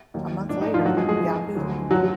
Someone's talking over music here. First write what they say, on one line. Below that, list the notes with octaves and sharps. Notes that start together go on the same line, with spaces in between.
A month later, Yahoo!
D#2 D#3 F#3
G#2 F3 D4
D#4
F3 F4
F2 F3 F#3 F#4
G#3 G#4
G#3 G#4
F2 F3
D2 D3 F#3
F#2 F3 F#3 F#4